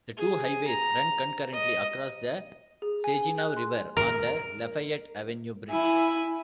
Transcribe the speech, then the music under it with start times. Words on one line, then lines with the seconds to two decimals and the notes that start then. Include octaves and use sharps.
The two highways run concurrently across the Saginaw River on the Lafayette Avenue Bridge.
0.17 G#4
0.67 A#5
1.53 D#5
2.82 G#4
3.04 G#5
3.38 F#6
3.56 C6
3.97 A#4
5.70 E4 G#5